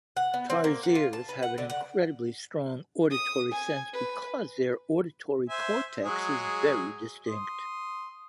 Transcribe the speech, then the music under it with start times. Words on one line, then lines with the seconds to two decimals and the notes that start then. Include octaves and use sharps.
Tarsiers have an incredibly strong auditory sense because their auditory cortex is very distinct.
0.17 F#5
0.34 B3
0.50 C4
0.64 A#3
0.83 F#5
0.95 F4
1.13 A5
1.29 B4
1.43 F#5
1.58 D3
1.70 F#5
3.11 D#6
3.52 G#5
3.93 B4
5.49 C5 E5 G#5
6.04 F#3 G#3 G#4
7.27 C6 D#6